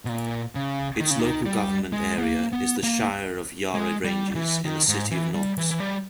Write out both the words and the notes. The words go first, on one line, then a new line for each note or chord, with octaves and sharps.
Its local government area is the Shire of Yarra Ranges and City of Knox.
B2
A#2
C#3
D#3
C#3
D#3
G3
G#3
B3
A#3
B3
A#3
G#3
G3
E3
D#3
G#2
E3
G3
E3
E3
G3